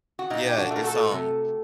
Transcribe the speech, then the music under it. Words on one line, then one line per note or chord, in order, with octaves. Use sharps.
Yeah, it's, um,
F#4
A#2 D#4
G4
D4 F#4
A3
A#4
F#4 A4
C3